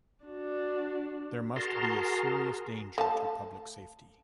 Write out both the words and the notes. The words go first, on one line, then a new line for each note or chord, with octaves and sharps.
There must be a serious danger to public safety.
D4 F#4
F#4 G#4 A#4 A5 A#5 C6
A3 F5 A5